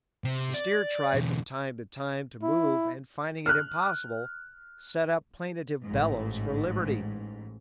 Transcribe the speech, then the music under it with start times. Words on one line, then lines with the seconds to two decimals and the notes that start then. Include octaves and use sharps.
The steer tried from time to time to move and, finding it impossible, set up plaintive bellows for liberty.
0.24 C3
0.54 D5
1.14 B1 E2
2.43 E4
3.46 F6 F#6
5.85 A1 G#2